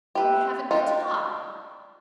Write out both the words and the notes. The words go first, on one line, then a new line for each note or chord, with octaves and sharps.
"We haven't the time."
G4 B4 E5
D4 D#4 F4 G4